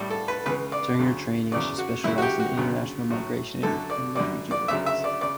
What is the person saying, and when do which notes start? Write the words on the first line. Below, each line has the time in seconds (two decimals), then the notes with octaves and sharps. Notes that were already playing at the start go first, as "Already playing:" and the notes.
During her training she specialised in international migration and refugee rights.
Already playing: A2 G3
0.10 A4
0.28 B4
0.46 C#2 C#3 E3 B4
0.72 D5
0.99 D2 C#3 F#3
1.51 E2 C#3 F#3 D5
1.78 F#4
2.04 F#2 E4
2.07 C#3 F#3
2.18 F#4
2.22 G4
2.39 F#4
2.57 D2 C#3 F#3
3.10 A2 F#3
3.63 F#2 D3 F#3 A4
3.90 D5
4.15 F#2 D3 G3 D5
4.51 D5
4.68 D2 C#3 F#3 E5
4.86 E5
5.04 D5
5.21 C#3 D5